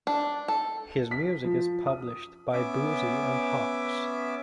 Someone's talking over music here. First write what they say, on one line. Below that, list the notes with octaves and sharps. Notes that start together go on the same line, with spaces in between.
His music is published by Boosey and Hawkes.
D4
A4
B6
F3
D#6
B3 C#4 E5 D6